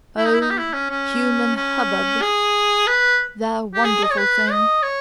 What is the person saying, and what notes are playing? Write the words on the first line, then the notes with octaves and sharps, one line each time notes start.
O human hubbub, thou wonderful thing!
E4
D#4
E4
D#4
G4
E4
C#4
C#4
C#4
G#4
B4
G4
G#4
D#5
C#5
B4
D#5
C#5